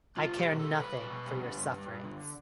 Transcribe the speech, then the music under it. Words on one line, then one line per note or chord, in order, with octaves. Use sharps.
I care nothing for your sufferings.
G3 F4
B2 G4
B2
G3 A4
G3 B4
B2
B2
G3
D3
G2
G3
G2
D3